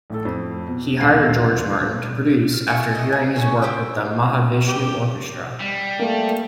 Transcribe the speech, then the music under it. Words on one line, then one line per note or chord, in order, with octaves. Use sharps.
He hired George Martin to produce after hearing his work with the Mahavishnu Orchestra.
A1 A2 A4
F2 C5
B2
D#1 D2 E3 F5 C7
F6
E4 A4 G#5 C#6
D#5
G#4
C#4 F#4 G#4 C#5
C4 G4 C5 G5
G4
G3
A3 A#3